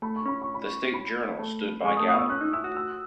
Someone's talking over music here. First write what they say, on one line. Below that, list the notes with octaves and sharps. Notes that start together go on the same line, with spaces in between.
The "State Journal" stood by Gallagher.
A3 B5
C#6
C#4 B5
C#6
B5
B5
A3
G#3 C#6
D#6
A3
D#6
B3 E6
C#4 F#6
D#4
E4 E6
F#4
E6